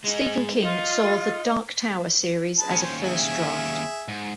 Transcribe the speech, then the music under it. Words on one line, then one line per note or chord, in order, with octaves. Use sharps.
Stephen King saw the "Dark Tower" series as a first draft.
G#3 D#4
D#4 F4
G#3 B4 A5
D#2 C#4
C5
G#4 E5 G#5
G#2